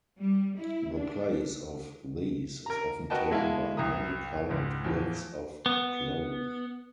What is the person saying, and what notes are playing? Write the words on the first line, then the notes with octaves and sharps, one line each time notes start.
The place of these is often taken by many-colored bits of cloth.
G3
E4
D4
A#4 A#5
F#4 A#4 B4 D#5 G5 A5
B2 G#3 E4 F5 A5
C2 A#5 D#6
C#2 G#2
E2 A2 E3 F3
B3